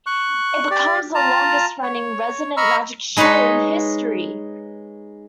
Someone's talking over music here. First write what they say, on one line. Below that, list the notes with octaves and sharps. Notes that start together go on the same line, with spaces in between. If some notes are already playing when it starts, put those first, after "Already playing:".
It becomes the longest running "Resident Magic Show" in history.
C#6 F#6
G4 D5
F4 A5 A#5
C#5
D#5 A#5 B5 C#6 E6 F6
G#3 D#4 B4 C#5 C6